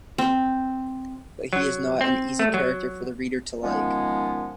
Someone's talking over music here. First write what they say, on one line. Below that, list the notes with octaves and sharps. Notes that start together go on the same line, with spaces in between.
But he is not an easy character for the reader to like.
C4
F#3
C4
A3
F#3
D#3 F3 G#3 B3 C#4